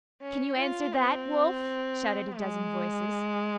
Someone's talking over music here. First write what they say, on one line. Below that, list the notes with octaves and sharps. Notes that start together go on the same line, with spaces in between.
'Can you answer that, Wulf?' shouted a dozen voices.
C#4
F4
C4
G#3